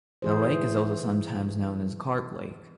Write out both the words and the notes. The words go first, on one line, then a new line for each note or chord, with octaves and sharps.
The lake is also sometimes known as Carp Lake.
E3 G#4 C5